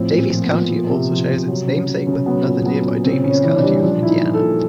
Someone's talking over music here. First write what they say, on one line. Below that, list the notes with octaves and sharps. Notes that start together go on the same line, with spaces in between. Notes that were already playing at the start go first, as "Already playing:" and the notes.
Daviess County also shares its namesake with another nearby Daviess County of Indiana.
Already playing: A2 F3 C4
A#2
C4
F3
B3
A#2
F3
C3
F3
C3
F#3
C#3
F#3
C#3
F#3 B3
A#2
F#3 B3
A#2
C#3 C4
C#3
C#4
E3 C#4
D4
G3
F3 D4
A#2 E4
D#4
F3
A4
A#2